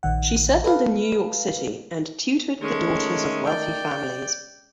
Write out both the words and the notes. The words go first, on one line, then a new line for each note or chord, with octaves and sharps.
She settled in New York City and tutored the daughters of wealthy families.
A#1 D#3 F#5
A4 B4 F5
D#3 G#3 A3 C#4
D5 G5